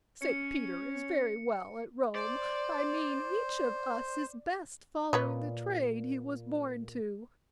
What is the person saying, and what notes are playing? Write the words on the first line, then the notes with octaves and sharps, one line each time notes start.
'Saint Peter is very well at Rome; I mean each of us is best following the trade he was born to.
C#4 C#7
C5 D5
A#2 B4 C#5 D#5